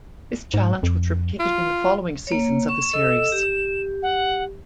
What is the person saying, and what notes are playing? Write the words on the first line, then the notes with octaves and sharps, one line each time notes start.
This challenge was repeated in the following seasons of the series.
G#2
F2
F4
A#3 C#5
C#6 E7
A4 D#5 E6
G4
F#5